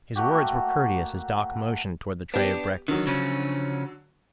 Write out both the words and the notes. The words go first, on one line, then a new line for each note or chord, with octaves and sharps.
His words were courteous as Doc motioned toward the tray of breakfast.
A3 A#3 F#4 G4
B3 D4 G4
D3 D#3 F#3
C#3 F3 C#4